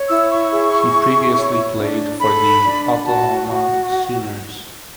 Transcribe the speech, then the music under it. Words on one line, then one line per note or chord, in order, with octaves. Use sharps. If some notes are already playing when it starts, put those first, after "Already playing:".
He previously played for the Oklahoma Sooners.
Already playing: C#5
E4 E6
C#6
G#4
E4
C#5
D4
A4 B5
D4
F#4 A5
F#4